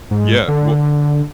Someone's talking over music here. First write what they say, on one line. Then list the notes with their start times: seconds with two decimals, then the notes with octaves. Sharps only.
Yeah, well
0.11 G#2
0.48 D3